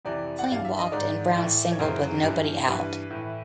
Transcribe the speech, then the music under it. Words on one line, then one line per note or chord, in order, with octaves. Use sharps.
Kling walked and Brown singled with nobody out.
F2 C3 E3 D5
F#5
G2 E3 F5
E5
D#5
G#2 D#3 D5
A2 E3
C#5
F#2 C#3 E3 C5
G2 E3
G2 E3 B4
A2 E3